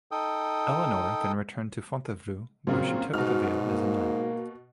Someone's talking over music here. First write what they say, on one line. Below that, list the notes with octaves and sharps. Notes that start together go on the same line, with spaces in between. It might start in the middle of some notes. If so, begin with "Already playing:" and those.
Eleanor then returned to Fontevraud where she took the veil as a nun.
D#4 A4 G5 D#6
A#2 C#3 F#3 C4
G#2 B2 F#4 F6
A#3